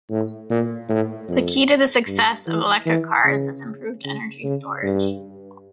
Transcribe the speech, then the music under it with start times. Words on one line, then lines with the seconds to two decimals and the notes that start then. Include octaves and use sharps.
The key to the success of electric cars is improved energy storage.
0.11 A2
0.50 A#2
0.89 A2
1.29 F2
2.07 G2
2.47 E3
2.86 E3
3.25 C#3
4.04 C#3
4.44 C#3
4.83 G2